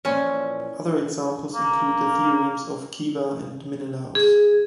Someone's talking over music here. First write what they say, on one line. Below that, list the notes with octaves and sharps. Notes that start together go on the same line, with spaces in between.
Other examples include the theorems of Ceva and Menelaus.
A#2 E3 F3 C#4
A#3
G#4